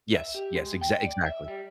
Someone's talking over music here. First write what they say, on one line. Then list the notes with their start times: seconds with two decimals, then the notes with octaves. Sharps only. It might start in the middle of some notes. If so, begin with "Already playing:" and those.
Yes, yes. Exact exactly.
0.15 E5
0.35 G4
0.56 G#3
0.81 G5
1.04 D5
1.26 E5
1.48 G3